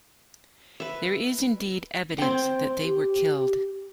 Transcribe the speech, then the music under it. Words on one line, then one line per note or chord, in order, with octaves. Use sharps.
There is indeed evidence that they were killed.
B4 E5
C4 G5
G4